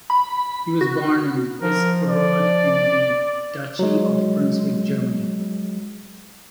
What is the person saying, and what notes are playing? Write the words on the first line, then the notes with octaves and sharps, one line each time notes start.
He was born in Bisperode in the Duchy of Brunswick, Germany.
B5
F#4
F3 A#4
D5
F#3 G#3